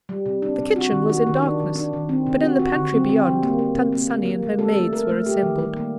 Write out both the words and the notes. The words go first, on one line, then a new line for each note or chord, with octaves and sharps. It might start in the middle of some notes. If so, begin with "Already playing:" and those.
The kitchen was in darkness, but in the pantry beyond Tant Sannie and her maids were assembled.
G3
C3
D4
C3
F#4
D#3
F#4
D#3
D4
D#3
D4
D#3
C4
C3
F#4
F#4
D3
C4
C4
G3
A#3
A#3
C3
A#3
A#3
A#3
G3
A4
A3
A#4
A3
G4
D#3
G3
A#3